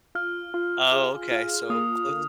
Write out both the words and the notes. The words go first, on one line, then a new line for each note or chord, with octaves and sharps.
Oh, okay. So, close.
F4 F6
F4
G#4
F4
A#3 D#6
D3